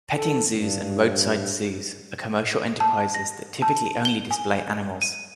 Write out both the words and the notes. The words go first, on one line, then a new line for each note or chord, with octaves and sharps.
Petting zoos and roadside zoos are commercial enterprises that typically only display animals.
A4
G2
A5
A#6
A5
G7
G#5
D#7